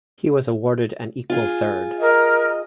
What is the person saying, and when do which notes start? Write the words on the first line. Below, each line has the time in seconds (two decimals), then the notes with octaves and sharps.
He was awarded an equal third.
1.30 F4 G#4
2.01 A#4 D#5